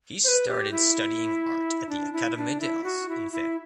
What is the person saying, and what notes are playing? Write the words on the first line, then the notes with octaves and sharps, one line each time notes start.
He started studying art at the "Academie des Arts" in Fes.
C5
B4
G4
E4
D4
E4
D4
E4
F#4
E4
E4